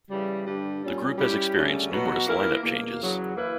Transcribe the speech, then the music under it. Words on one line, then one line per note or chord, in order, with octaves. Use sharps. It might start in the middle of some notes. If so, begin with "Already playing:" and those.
The group has experienced numerous line-up changes.
C#3 E3 G3
G2 D3 G3
A#2 G3 C#4
G3 C#4 E4 G4
D2 C#3 G3 C#4
B2 F#3 B3 F#4
E3 A#3 E4 A#4
E2 B2 A#3
E2 C#3 F#3
E3 A#3 E4 B4